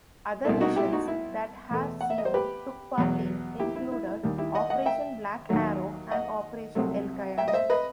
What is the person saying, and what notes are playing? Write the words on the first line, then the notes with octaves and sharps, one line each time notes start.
Other missions that Har-Zion took part in included Operation Black Arrow and Operation Elkayam.
C2 B2 A3 E4
D#4 F#4
E4 G4
D#4 F#4
E4
E2 B2 A3
F#5
E5
D#5
C5
G4 B4
E2 B2 F#3
E4 G4
E4
E4
E4
D#2 D#3 G3
E4 G4
D#5 F#5
D#5 F#5
E5 G5
D#2 D#3 F#3 A3
D#5 F#5
C2 C3 F#3 A3
E5 G5
D#5
C5 E5
B4 D#5